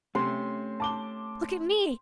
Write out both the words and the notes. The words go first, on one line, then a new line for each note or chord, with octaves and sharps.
"Look at me!"
C3 A3 C#4 C6
A5 D6 G7